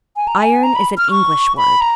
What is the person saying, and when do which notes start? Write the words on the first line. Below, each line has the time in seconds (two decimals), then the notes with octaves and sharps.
Iron is an English word.
0.16 G#5
0.27 A#5
0.39 G#5
0.63 A#5
0.75 B5
0.98 F6
1.11 C#6
1.57 B5
1.81 A#5